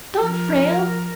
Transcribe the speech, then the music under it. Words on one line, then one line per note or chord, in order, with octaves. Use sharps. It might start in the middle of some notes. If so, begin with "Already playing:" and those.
Don't, Frale.
F3 A#4